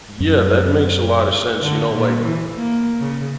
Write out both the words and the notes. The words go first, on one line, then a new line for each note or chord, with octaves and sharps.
Yeah, that makes a lot of sense. You know, like,
F#2
D3
A#2
E3
A#3
C#3